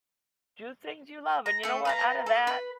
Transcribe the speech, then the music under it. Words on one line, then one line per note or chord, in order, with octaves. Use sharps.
do things you love and you know what, out of that.
A#5
A3 A4
B4 F5 A#5
A4
B4